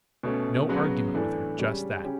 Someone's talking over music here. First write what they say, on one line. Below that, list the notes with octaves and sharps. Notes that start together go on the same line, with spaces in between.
No argument with her--just that.
B2 A3 C#4
C#3 F#3 B3 F#4
A2 E3 A3 D4
C#3 G3 C#4
C#3 C#4 G4